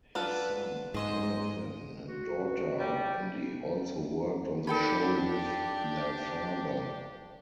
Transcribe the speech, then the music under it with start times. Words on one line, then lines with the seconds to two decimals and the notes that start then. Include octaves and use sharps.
His son, Jonathan, and daughter, Wendy, also worked on the show with their father.
0.15 D4 F4 A4 B4 F#5 A5
0.94 G#2 G#4 D#5 C6 E6
2.08 F#4
2.79 G3
4.67 D4 D#4 G4 A4 A#4 G5 B5